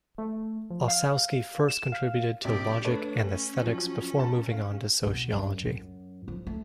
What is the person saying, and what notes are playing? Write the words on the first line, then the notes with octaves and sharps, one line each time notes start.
Ossowski first contributed to logic and aesthetics before moving on to sociology.
A3
F3
F5
E7
F5
A#1 C3 G4 D5
A3 D4 A4 B4 C#5
C#4
F3 F#3
A5
F5
B2
F#2
F#2
F3
A3